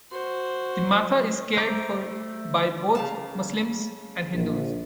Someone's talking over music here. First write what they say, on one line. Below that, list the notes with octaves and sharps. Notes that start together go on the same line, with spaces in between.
The matha is cared for by both Muslims and Hindus.
F#4 C5
A3 C5 A#5 D6
C#3 F5 A5
A#1